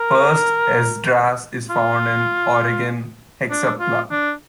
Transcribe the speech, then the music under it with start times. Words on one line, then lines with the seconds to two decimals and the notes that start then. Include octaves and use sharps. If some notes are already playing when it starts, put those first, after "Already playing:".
First Esdras is found in Origen's "Hexapla".
Already playing: A#4
1.70 F4
3.51 D4
3.80 F4
4.11 D4